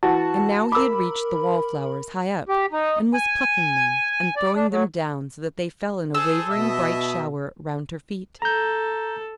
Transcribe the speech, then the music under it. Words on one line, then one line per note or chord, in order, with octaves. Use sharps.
And now he had reached the wallflowers high up, and was plucking them and throwing them down so that they fell in a wavering bright shower round her feet.
E3 F#4 A5
A#4 B5 D6 E6
G4
D#4
G#5
D5
D4
F#3
G#4 A4 C5 E6
B2 D#5 E5
A4 A#5 G6